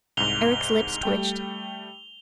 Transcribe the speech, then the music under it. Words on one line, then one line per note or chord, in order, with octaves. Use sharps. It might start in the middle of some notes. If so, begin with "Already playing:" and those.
Eric's lips twitched.
C2 G#2 F7 G7
G3 A3 G5